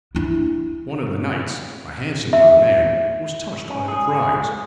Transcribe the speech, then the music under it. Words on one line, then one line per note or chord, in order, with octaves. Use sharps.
One of the knights, a handsome young man, was touched by the cries.
D4 E4
E5
C#4
G#4
G#4
G#3